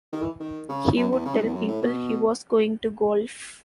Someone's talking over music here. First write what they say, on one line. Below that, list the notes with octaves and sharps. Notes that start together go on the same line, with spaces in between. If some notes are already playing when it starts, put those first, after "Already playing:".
He would tell people he was going to golf.
D#3
E3
D#3
C#3
F#2
E2
C#3
G#2
E2
F#2
A2
B2